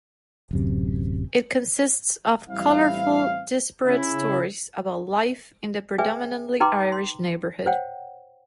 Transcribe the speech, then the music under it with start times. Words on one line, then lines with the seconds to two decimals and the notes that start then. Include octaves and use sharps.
It consists of colorful, disparate stories about life in the predominantly Irish neighborhood.
0.51 D1 F#2 C3
2.49 A1 G3 C4 E4 F5
3.85 C#3 C#4 E4
5.98 G#4 B4 D5 E5 G5 G#5
6.60 D#4 B4 G5 A#5 C6 D6
6.92 C6
7.66 C5 C#5 F#5 G5